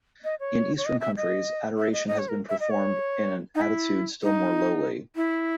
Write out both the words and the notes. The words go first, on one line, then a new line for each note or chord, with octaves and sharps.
In Eastern countries, adoration has been performed in an attitude still more lowly.
D#5
C#5
C#5
D#5
E5
D#5
E5
D#5
D#5
C#5
A#4
E5
D#5
C#5
D#4
E4
D#4
E4